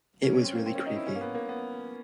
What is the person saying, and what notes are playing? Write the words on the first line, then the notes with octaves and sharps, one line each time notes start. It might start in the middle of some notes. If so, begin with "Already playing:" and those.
It was really creepy.
C#4
C#4
C4
A#3
C4
C#4
D#4
E4
C#4
A#3
B3
A#3
B3